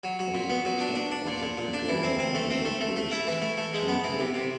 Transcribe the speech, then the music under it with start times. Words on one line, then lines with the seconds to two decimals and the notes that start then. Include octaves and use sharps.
On the top of the pagoda is a Buddhist temple.
0.04 F#3
0.19 F#3
0.34 A#2
0.50 B3
0.65 F#3
0.80 D4
0.95 D4
1.12 D4
1.27 A#2
1.42 A#2
1.57 A#2
1.73 D4
1.88 E3
2.03 C4
2.19 C4
2.35 A3
2.50 C4
2.65 A3
2.81 A3
2.96 A3
3.12 E4
3.27 E3
3.42 A3
3.57 A3
3.73 G#3
3.88 B3
4.04 E3
4.19 C3
4.34 C3